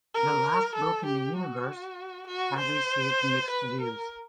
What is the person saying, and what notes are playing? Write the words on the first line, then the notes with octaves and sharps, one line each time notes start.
"The Last Book in the Universe" has received mixed reviews.
A#4
A4
G4
F#4
F#4
C5
B4
A#4